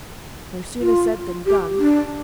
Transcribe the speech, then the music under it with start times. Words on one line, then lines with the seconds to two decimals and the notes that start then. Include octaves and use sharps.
No sooner said than done.
0.81 F4
1.46 G4
1.79 D4